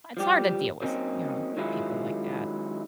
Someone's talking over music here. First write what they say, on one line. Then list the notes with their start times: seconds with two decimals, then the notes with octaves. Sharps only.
it's hard to deal with, you know, people like that.
0.17 F3 G3 G4
0.82 F#3 A#3 C4 C#4 D#4
1.57 D#3 F#3 G#3 C#4 E4 F4